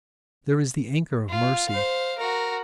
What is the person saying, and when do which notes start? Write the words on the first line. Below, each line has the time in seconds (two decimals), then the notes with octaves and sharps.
There is the anchor of mercy.
1.29 F4
1.69 C5 F5
2.18 F#4 A#4